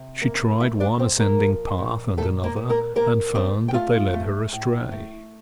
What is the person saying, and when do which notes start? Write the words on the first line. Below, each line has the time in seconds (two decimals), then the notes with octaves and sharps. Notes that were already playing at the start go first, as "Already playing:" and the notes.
She tried one ascending path and another, and found that they led her astray.
Already playing: C3
0.21 A#3
0.60 A3 E4 E5
0.80 D4 D5
0.99 A#2 C4 C5
1.19 A#3 A#4
1.38 F3
1.78 A#2
2.17 A#2 A3 A4
2.43 A#3 A#4
2.56 A#2
2.69 A#3 A#4
2.95 A#2 A#3 A#4
3.35 A3 C4 C5
3.68 G5
3.74 A3 F4 F5
4.14 A3
4.53 A2
4.92 A3